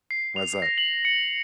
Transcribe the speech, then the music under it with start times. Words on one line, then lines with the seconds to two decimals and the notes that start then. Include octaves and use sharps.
Why's that?
0.11 C7
0.36 F7
0.62 A#6
0.78 F#7
1.05 C#7